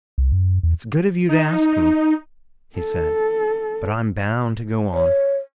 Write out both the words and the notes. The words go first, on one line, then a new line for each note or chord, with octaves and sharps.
"It's good of you to ask me," he said, "but I'm bound to go on."
C2
F#2
E2
D#4
A4
C#5